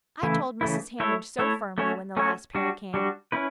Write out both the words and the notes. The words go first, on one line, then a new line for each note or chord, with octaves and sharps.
I told Mrs. Hammond so firmly, when the last pair came.
C#3 E3 A3 E4
C#3 E3 A3 E4
A3 E4 A4 C#5
A3 E4 A4 C#5
A3 C#4 F#4 C#5
A3 C#4 F#4 C#5
G3 D4 F#4
G3 D4 F#4
C#4 E4 B4